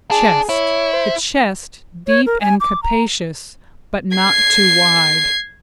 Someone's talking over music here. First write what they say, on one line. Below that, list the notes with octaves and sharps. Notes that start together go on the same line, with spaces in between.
CHEST--The chest, deep and capacious, but not too wide.
D4 G#4
E4 C#5
C5
C#5
A#4
G#5
D6
A#5
G#6 C7